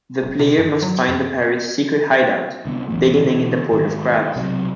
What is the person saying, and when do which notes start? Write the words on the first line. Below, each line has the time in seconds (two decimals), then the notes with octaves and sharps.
The player must find the pirates' secret hideout, beginning in the Port of Crabs.
0.22 D#1
0.39 C3
0.58 G2
0.82 F#3
1.08 F2
2.65 C2 D3 B3
2.91 A1 E2
3.16 B2 D3 E3 B3
3.71 G#2 D#3
4.18 D#3
4.36 B1 C3 F#3